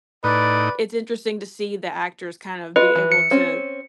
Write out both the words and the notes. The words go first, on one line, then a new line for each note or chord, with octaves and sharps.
it's interesting to see the actors kind of be able to
A2 D#4 B4 D5
F4 B4 D#5
E3
C#7
C4 C#4